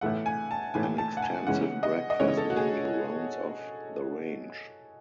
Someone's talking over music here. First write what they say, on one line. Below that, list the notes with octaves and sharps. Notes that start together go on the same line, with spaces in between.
An extensive breakfast menu rounds off the range.
A2 E3 A3 F#5
G#5
A5
A2 E3 A3 G#5
A5
F#5
G#5
C#3 E3 G#3 C#4 F#5
D#5
D#5
C#3 E3 G#3 C#4 C#5
A4
F#4
G#4